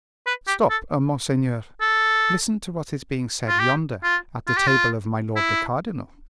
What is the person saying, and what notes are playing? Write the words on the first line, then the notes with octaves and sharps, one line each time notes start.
"Stop, monseigneur, listen to what is being said yonder, at the table of my lord the cardinal."
B4
G4
A4
A4
F4
G4
F4
F4
G4
F4
E4